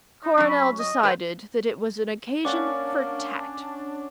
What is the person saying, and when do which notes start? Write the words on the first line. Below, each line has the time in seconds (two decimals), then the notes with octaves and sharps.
Coronel decided that it was an occasion for tact.
0.23 D#4
0.38 F#3 C#4
0.49 B5
0.79 D#5
1.03 A3 B4 C5 G5
2.45 A#3 C#4 D4 D5 F#5 D6 A6